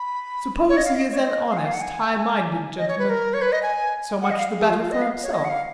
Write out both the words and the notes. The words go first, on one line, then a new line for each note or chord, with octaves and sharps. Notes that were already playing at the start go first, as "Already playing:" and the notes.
Suppose he is an honest, highminded gentleman; so much the better for himself.
Already playing: B5
C#5
D#5
F5
D#5
C#5
D#5
F5
G#5
F5
F#5
G#5
D#5
C#5
B4
A#4
C#5
B4
D#5
G#5
F#5
D#5
F5
G#4
F4
F4
D#5
F5
C#5
D#5
F#5
F5